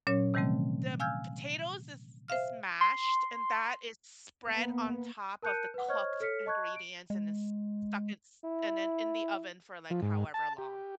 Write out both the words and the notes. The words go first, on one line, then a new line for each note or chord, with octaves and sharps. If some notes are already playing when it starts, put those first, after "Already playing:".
the potatoes is is mashed, and that is spread on top of the cooked ingredients and then s stuck it's and then in the oven for, like, however long.
A#2 F#3 C#4 C#5
C3 D#3 E3 G3 A3 C4
F5 G#5 E6 F6 G6 G#6
C5 E5 F5 F6
C6
A#3 B3
A#4 A5 F#6 G6 C#7 D#7
B4 F#5
C5 C#5 D#5 C#6 F6 G#6
A4 C#5 F6 B6 C#7
D#5 A5 C#6 F#6 G#6
D7
G#3
E4
F3
G#2
A5
G4